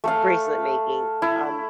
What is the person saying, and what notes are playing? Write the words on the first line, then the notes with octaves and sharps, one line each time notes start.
bracelet making. Um,
A3 A4 F5
E4